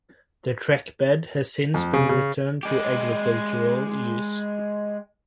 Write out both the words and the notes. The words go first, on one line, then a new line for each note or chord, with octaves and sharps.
The trackbed has since been returned to agricultural use.
F2
C#3
C#3
G#3 G4